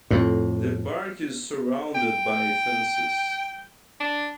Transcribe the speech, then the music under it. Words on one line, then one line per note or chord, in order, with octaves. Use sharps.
The park is surrounded by fences.
F2 A2
G5
D4